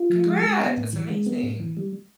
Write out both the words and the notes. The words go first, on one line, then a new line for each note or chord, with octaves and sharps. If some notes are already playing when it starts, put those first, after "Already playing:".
Congrats! That's amazing.
Already playing: F4
F3
G#3
G#3
B3
A2
E3
G#3
B3
A2
E3
G3